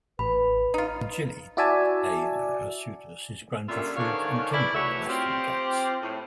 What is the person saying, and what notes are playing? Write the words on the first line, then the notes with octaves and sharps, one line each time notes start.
Anjily, "A. hirsutus", is grown for fruit and timber in the Western Ghats.
A1 B4 B5
D#4 F4
E4 F#4 D5 E5 G#5 A5
F#2 A#2 D3 G3 F4 E5
G#2 D3 D#3 D4 C#5 F5
E4 D5
E3 A3 F#4 C#5 E5
C4 F4 G4
A2